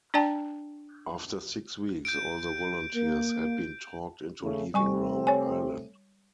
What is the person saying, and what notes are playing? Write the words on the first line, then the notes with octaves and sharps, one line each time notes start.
After six weeks, all the volunteers had been talked into leaving Round Island.
D4 D5 G5 A5
G6 D7
A#3
C#3 A3 C#4
C3 G3 A3 C4 G#5 C#6
C#5 G#5